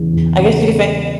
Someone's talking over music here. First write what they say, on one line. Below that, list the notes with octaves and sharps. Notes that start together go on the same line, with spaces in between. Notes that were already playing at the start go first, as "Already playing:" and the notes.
I guess you could say
Already playing: E2 C#3 E3
E2
C#3